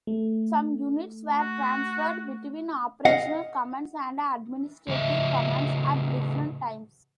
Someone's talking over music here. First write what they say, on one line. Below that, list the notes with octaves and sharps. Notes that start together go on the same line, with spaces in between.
Some units were transferred between operational commands and administrative commands at different times.
A3
F#4
D#5 F5 F#5
A2 C#3 D#5 E5